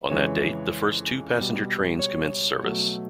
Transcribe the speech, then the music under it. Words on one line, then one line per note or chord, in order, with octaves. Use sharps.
On that date, the first two-passenger trains commenced service.
F2 C#3 E3 G#3 C#5
B2 G3
C#5
B2 F#3 A3